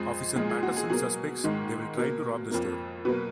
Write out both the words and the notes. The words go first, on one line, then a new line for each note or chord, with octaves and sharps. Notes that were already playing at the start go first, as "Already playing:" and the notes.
Officer Patterson suspects they will try to rob the store.
Already playing: F2 F3 G#3 G#4
A#2 F3 G#3 G#4
G#4
F#4
G#4
B2 F#3 A#3 G#4
G#2 D#3 G#3
B2 A#3
F2 F3 A#3
B2 F#3 A#3 B4